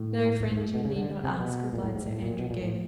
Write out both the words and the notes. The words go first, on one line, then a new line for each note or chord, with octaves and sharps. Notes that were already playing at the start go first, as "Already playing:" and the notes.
"No, friend, you need not ask," replied Sir Andrew, gaily.
Already playing: A2
A2
G#2
B2
C#3
D3
C3
B2
A#2
A2
G#2
A2
A#2
B2
A#2
A2